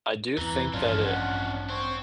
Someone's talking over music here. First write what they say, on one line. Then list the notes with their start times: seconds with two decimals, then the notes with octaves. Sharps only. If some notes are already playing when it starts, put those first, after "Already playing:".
I do think that it
0.38 E2 E3 C4 A#5
0.74 A1 G2 F3 C#4 D4 F4
1.05 F#5
1.70 C4 C#5